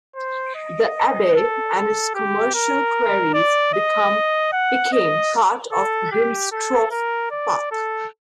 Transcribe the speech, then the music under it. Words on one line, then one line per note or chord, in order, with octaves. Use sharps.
The Abbey and its commercial quarries became part of Grimsthorpe Park.
C5
D#5
A4
A4
G4
A#4
D5
D#5
F#5
D#5
A4
G4
A4
A#4
D5
A4